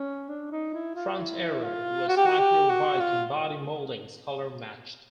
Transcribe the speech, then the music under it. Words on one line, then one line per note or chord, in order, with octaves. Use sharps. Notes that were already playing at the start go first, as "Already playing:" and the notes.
Front aero was slightly revised and body mouldings colour matched.
Already playing: C#4
D4
D#4
E4
F4
E4
F4
F#4
G4
F#4
G4
F#4
F4